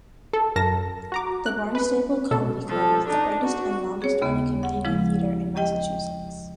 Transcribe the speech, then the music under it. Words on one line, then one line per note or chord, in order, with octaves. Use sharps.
The Barnstable Comedy Club is the oldest and longest-running community theater in Massachusetts.
A4
F#2 A#4 A5 A#6
F#4 A#5 D6
F#6
B4
B2 A4
F3 A4
D4 D#4
F#4
G#4 C#5
D#2 C#3 B3
F#5
C#3 F3 G#3 E4
G4 D#5 G5